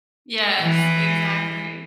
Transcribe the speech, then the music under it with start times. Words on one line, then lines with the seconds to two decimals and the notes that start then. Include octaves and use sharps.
Yes, exactly.
0.62 E3